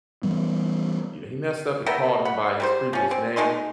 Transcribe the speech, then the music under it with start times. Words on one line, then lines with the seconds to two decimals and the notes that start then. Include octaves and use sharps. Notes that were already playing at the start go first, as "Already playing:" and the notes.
you know, he messed up and called him by his previous name.
0.23 E3 G3 B3
1.86 B3 A#4 E5 G5
2.25 F#5 B5
2.60 G3 A#4 C5
2.93 F3 C#4
3.11 C4
3.36 G#3 A3 D#4 C6